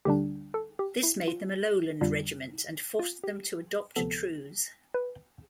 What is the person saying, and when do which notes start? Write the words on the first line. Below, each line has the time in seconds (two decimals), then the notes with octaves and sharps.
This made them a Lowland Regiment and forced them to adopt trews.
0.05 D2 D3 G3 D4 G4
0.54 A4
0.79 G4
1.03 E4
1.28 F4
2.01 F2 D3 G3 D4 F4
2.99 F4
3.24 G4
3.96 D2 C3 F3 B3 A4
4.94 B4